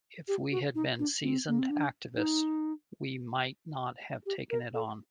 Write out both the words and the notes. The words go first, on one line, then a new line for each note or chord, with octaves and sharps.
If we had been seasoned activists, we might not have taken it on.
G4
F#4
D#4
D4
C4
A#3
C4
D4
D#4
G4
A#4
A4